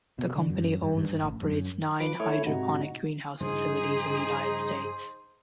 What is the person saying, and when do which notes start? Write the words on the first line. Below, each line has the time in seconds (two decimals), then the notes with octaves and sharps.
The company owns and operates nine hydroponic greenhouse facilities in the United States.
0.19 B2
0.35 D3
0.50 F#2
0.82 G2
0.97 G2
1.24 A1
1.42 F#2
2.00 F3 B4 D6
2.20 A3 E4 C#5
2.46 G#2 C3 D#4 F#4
3.40 G2 C#3 F3 D#4 G#4 C5